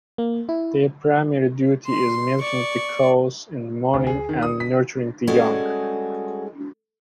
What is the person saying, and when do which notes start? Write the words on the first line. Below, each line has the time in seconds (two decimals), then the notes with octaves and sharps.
Their primary duty is milking the cows in the morning and nurturing the young.
0.18 A#3
0.49 E4
1.86 C6
2.40 D5 C#6
3.94 D2
4.07 G#4
4.29 D#3
4.43 D#6
4.60 B6
5.27 G3 G#3 C#4 F#4 G#4 A4